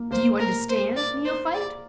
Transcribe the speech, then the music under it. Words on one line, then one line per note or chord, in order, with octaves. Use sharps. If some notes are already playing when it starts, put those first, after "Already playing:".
Do you understand, Neophyte?
Already playing: A#3
A#3 C5
A#4
C5
D5
C5
D5